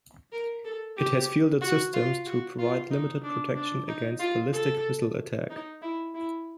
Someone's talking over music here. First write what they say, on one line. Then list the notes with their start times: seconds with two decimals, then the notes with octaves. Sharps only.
It has fielded systems to provide limited protection against ballistic missile attack.
0.32 A#4
0.64 A4
0.97 G4
1.61 F#4
1.94 F4
2.26 F#4
2.59 F4
2.91 D#4
3.23 D4
3.55 D4
3.88 D#4
4.20 F4
4.53 A4
5.50 D#4
5.82 E4
6.14 E4